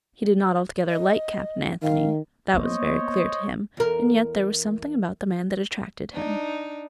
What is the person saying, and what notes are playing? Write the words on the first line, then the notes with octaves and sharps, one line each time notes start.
He did not altogether like Captain Anthony--that was very clear to him, and yet there was something about the man that attracted him.
D#5
D#3 F5
A#3 B3 C5 C#5 D#5
E2 A#4
D4 D#4